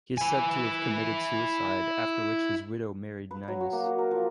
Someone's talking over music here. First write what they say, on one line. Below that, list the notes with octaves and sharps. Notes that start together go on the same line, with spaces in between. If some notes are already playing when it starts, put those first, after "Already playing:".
He is said to have committed suicide, after which his widow married Ninus.
E4 G#5
B4
F#3
F#4
A#3
F#4
A#4
F3